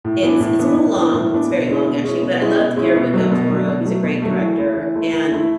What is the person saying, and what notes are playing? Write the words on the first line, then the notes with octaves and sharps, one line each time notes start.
it's it's a little long, it's very long, actually, but I loved Guillermo del Toro, he's a great director, and
A2
E3 B3 D4
A2
E3 B3 D4
A2
E3 B3 D4
A2
E3 B3 D4
B2
G#3 C#4 E4
B2
G#3 C#4 E4
B2
G#3 C#4 E4
B2
G#3 C#4 E4
B2
F#3 A3
B2
F#3 A3
B2
F#3 A3
B2
F#3 A3
E3
A3 E4
E3
A3 E4
E3
A3 E4